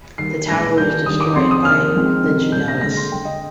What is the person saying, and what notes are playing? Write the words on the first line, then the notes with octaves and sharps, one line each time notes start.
The tower was destroyed by the Genoese.
D#3 G3 A#3 C7
A#2 G#3 D4 A#6
D#3 G3 D4 G6
D#3 G3 D4 D#6
D6
F3 C4 D#4 C6
D#6
D#3 A#3 D4 F6
F3 G#3 C4 D#4
D#3 G3 C4 D#4
A#2 G3 D4 G6
A#6
D3 G#3 D4 A#6
C6
D3 G#3 D4 G5
D#5